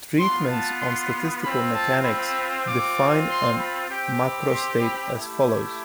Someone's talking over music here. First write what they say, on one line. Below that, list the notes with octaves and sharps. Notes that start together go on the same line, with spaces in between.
Treatments on statistical mechanics, define a macrostate as follows.
B3 F4 C6
A5
C6
C4 F4 B5
A5
B5
C4 F4 D6
C6
B5
C4 G4 G5
B5
C6
B5
A3 E4 G4